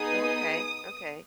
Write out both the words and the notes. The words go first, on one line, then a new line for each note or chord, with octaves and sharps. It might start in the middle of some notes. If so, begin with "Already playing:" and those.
Oh, okay, okay.
Already playing: B3 D#4 G#4 D#6